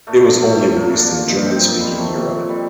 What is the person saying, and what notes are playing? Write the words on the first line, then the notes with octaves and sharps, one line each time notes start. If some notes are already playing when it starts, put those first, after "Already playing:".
It was only released in German speaking Europe.
A#2 A3
A3
F3
A3
F3
A3
A#2 A#3
D4
A#2
F4
F3
D#4
A#2 C4
F3 A#3
G3
F3
A3
A#2 A3
A#2
G3